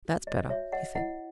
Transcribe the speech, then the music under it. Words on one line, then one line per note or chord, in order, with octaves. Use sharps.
"That's better," he said.
F#4
C#5 D#5
F#4 C#5 E5
C#5 D#5 F#5
E4 D#5 F#5